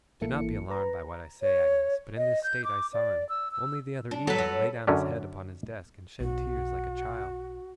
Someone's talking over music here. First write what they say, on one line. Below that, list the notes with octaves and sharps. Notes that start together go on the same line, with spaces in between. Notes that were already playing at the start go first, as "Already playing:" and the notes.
Do not be alarmed by what I say, Agnes, but in this state I saw him, only the other evening, lay down his head upon his desk, and shed tears like a child.'
G#1 E3 A#3 E4 A4 C#7
B4 A#5
C#5
D#5
G6
D6
D5
E6
E6
D4
F#3 A4 B4
F#3
F#2 D3 C#4 D4
B1 F#4